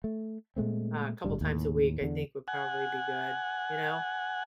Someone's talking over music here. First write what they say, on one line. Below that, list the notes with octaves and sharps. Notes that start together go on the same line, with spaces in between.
uh, couple times a week, I think would probably be good, you know?
A3
A#2 G#3 A3 C4
G1 A2 G3 D4
D#2 A2
E2 D3
F#5 G#5